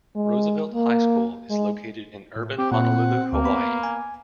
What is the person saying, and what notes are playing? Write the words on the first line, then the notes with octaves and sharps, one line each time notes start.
Roosevelt High School is located in urban Honolulu, Hawaii.
G#3
A#3
G#3
A2
C4 G4
A#2 F#5
D2 A#3
B3 B5
G#5